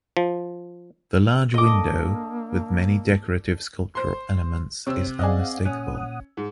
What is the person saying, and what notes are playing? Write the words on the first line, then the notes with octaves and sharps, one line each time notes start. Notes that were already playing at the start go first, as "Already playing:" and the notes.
The large window, with many decorative sculptural elements, is unmistakable.
F3
D3 A#3 D4 A4 D#5 D6
C5 C6
C3 C4 C#5 E6
C4 G#4 D5 D#5 F5 F#5
A#2 C#4 F#5 D#6
G#2